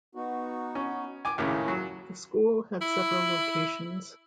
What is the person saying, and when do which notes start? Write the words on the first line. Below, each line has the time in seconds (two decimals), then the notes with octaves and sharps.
The school had several locations.
0.15 B3 D#4 F#4
0.75 C#4
1.25 G#5 D6
1.38 D#2 A2 C#3 F4 G#4 C#5
1.68 F#3
2.81 E4